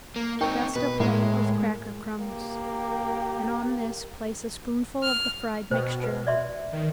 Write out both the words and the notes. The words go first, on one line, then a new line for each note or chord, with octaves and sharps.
Dust a plate with cracker crumbs and on this place a spoonful of the fried mixture.
A#3
C4 D#4 A#4 G5 C#6
B2 B4
A2 G#3 A#3 E4
A#3 G4
F6
B2 C5 G5
B4
D5 E5 C6
D#3